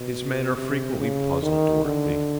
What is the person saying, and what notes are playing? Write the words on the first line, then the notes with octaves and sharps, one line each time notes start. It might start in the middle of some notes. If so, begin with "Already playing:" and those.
His manner frequently puzzled Dorothy.
Already playing: B2
C3
C#3
D#3
D3